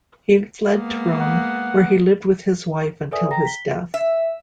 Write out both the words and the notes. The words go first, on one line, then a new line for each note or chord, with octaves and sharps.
He fled to Rome, where he lived with his wife until his death.
G#3 A#3 B3
F#5
A4 B4 D5 E5 G#5 D#6
G5 A#5 A#6
B6 G7
E5